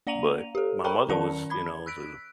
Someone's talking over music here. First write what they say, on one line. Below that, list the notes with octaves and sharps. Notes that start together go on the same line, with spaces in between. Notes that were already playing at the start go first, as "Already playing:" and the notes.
but my mother was, you know, the
A#3 D5 F5 A#5 D#7 F7
G4 A4
A4 A#4 G5 A#5 B5 C#6
D#3 C#4 A#4 D5 A5 C#7
B5 G#6
E6 F#6 B6 D7